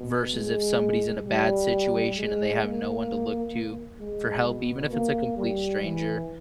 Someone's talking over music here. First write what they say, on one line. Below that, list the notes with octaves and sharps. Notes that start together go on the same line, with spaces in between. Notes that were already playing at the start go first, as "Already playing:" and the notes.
versus if somebody's in a bad situation and they have no one to look to for help even if it's a complete stranger.
Already playing: B2
G#3
G3
G#3
A#3
G#3
B2
A#3
G3
E3